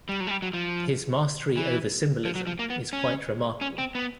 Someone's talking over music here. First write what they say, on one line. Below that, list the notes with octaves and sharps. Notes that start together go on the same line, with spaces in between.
His mastery over symbolism is quite remarkable.
G3
F#3
G#3
G3
F#3
F3
E3
F3
F#3
F3
A#3
B3
C#4
C#4
C4
B3